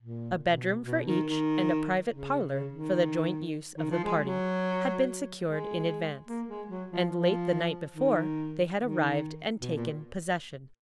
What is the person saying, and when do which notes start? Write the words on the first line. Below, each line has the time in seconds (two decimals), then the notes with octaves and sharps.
A bedroom for each, and a private parlor for the joint use of the party, had been secured in advance, and late the night before they had arrived and taken possession.
0.01 A#2
0.43 B2
0.85 B2
1.05 D#3
1.26 D#3
2.11 C#3
2.51 C#3
2.73 D#3
3.77 D#3
3.91 F3
4.04 G#3
4.19 F#3
5.44 G#3
6.27 A#3
6.48 G#3
6.69 F#3
6.91 F3
7.11 F3
7.95 D#3
8.79 D#3
9.61 B2
9.75 A#2